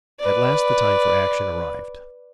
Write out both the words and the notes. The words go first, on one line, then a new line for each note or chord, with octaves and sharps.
At last the time for action arrived.
B4 D5